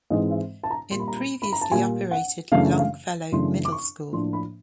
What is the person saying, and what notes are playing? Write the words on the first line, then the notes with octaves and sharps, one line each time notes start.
It previously operated Longfellow Middle School.
G#2 E3 G#3 C4 D#5
E5
A5
A#5
A#2 G3 A#3 C6
B5
A#5
B5
B5
A#5
A5
A#2 G3 A#3 G#5
F#5
F#2 C#3 E3 A3 D4 F5
F5
F#2 C#3 E3 A3 D4 C6
D6
C#6
A2 F3 A#3 D4 C6
B5